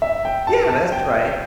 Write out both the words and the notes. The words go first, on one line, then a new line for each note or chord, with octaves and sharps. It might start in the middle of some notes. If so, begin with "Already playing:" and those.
Yeah, that's right.
E5
G5
A5
A5
G5